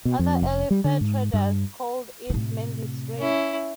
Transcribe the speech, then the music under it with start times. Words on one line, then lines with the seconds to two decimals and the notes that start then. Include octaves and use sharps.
Other early fur traders called it Menzies Strait.
0.05 B2
0.19 F2
0.42 F1
0.71 G3
0.84 D3
1.01 G#2
1.34 G2
2.30 A2 C3
3.18 C#4 E4